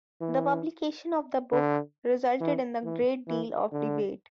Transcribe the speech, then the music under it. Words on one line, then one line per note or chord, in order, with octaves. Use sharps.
The publication of the book resulted in a great deal of debate.
E3
D3
E3
E3
E3
D3